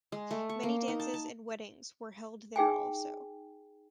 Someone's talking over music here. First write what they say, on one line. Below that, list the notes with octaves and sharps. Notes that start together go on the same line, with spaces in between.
Many dances and weddings were held there also.
G#3
A3
C#6
A#3
D#4
A5
A5
D#4 G#4 G5 G#5